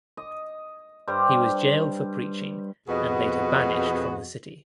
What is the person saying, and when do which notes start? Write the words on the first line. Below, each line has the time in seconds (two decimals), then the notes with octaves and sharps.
He was jailed for preaching and later banished from the city.
0.17 D#5
1.08 G2 G3 G4 C5
2.88 F2 B2 B3 F#4 G#4 D#5